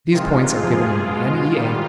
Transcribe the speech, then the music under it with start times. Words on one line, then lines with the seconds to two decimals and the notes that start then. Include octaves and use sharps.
These points are given in the N.E.A.
0.12 C3 D#3 G#3 F4
0.58 F2 C3 F3 F4 G#4
1.06 B2 G#3 F4
1.52 G#2 D#3 G3